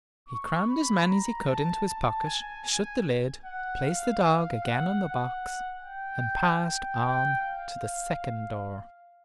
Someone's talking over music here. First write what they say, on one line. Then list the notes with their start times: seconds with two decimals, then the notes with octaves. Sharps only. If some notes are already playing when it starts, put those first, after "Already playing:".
He crammed as many as he could into his pocket, shut the lid, placed the dog again on the box, and passed on to the second door.
0.28 C#6
0.67 B5
1.07 A#5
1.47 A5
1.87 A5
2.26 G#5
2.65 G#5
3.45 F#5
3.84 F5
4.23 F5
4.63 F#5
5.03 F#5
5.81 G5
6.61 G5
7.00 G5
7.40 F5